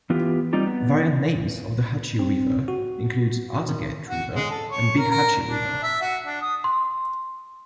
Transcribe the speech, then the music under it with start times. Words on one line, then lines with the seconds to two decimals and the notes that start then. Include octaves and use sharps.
Variant names of the Hatchie River include Arteguet River and Big Hatchie River.
0.10 E3 B3 F4 G4
0.53 G3 C4 D#4 F4 G4
0.67 B3
2.19 C4
2.68 F#4
3.69 D#3
4.09 F#4
4.34 G#3
4.50 A4
4.71 C#5
4.98 A#4
5.10 A#4
5.47 D4
5.83 E5
6.01 F#4
6.25 D4
6.42 D#6
6.64 C6